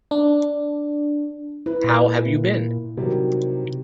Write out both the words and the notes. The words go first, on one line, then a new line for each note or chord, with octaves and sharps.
How have you been?
D4
E4 B4
A#2
C3 D#3 F#3 G3